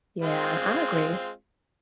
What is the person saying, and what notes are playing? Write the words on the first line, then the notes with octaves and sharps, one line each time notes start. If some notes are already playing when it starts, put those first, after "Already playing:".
Yeah, I agree.
G#3 C4 F4